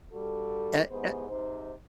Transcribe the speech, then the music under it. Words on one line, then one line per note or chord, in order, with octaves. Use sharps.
A a
G2 G3 F#4 A4
E2 G#2 B3 G4 G#4 C5
G#2 C3 D#4 C5